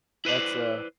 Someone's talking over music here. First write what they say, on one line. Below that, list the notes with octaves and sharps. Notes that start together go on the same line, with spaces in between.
That's, uh
E4 B4 C5 D5